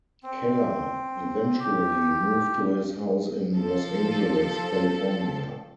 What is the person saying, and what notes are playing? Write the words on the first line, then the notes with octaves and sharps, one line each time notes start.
Kellar eventually moved to his house in Los Angeles, California.
C4
G4
F3 A4